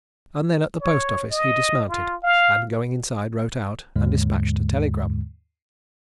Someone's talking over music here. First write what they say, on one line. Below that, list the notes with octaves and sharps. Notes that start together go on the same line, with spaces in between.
And then, at the post-office he dismounted, and going inside, wrote out and dispatched a telegram.
C#5
D#5
F4
F5
D#2 G#2 D3 G#3